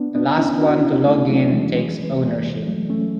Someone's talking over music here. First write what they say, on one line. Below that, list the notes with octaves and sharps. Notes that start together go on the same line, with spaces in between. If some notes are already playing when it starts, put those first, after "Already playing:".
The last one to log in takes ownership.
Already playing: B3 D4
B3 D4
C#4 E4
D4 F#4
C#4 E4
A3 C#4
F#3 A3
E3 G#3
E3 G#3
E3 G#3
F#3 A3
A3 C#4